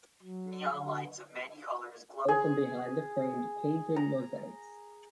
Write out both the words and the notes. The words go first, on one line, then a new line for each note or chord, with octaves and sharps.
Neon lights of many colors glow from behind the framed painted mosaics.
F#3
D3
G#4
A#5